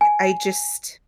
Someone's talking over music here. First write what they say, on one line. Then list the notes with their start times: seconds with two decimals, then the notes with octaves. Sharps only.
I just
0.01 G#5